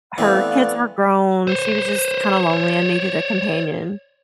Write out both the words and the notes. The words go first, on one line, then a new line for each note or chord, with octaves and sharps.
her kids were grown, she was just kinda lonely and needed a companion.
E3 A3 B3 C4 D5 F5
C5 C#5